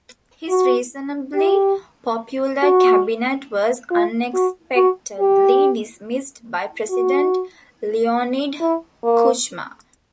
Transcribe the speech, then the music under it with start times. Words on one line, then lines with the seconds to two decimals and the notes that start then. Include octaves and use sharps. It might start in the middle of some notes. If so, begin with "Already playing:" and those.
His reasonably popular cabinet was unexpectedly dismissed by President Leonid Kuchma.
0.49 F#4
1.35 G4
2.63 F#4
3.91 F4
4.34 F#4
4.76 F#4
5.19 G4
6.90 F#4
8.61 E4
9.03 A#3